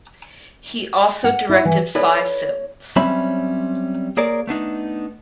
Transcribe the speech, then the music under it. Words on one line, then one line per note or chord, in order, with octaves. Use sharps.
He also directed five films.
F#5
E4
E3
E4 A4 B4 C#5 D5
F#3 G3 C4 C#4 E5 B5
A#3 G#4 A#4 C#5 D5
A3 B3 D4 D#4